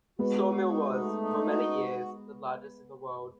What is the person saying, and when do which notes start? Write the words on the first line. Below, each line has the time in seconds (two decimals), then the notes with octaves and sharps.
The sawmill was, for many years, the largest in the world.
0.19 G#3 B3 F#4
0.45 F#4
0.70 D#4
0.97 A3
1.21 D#4
1.48 F#4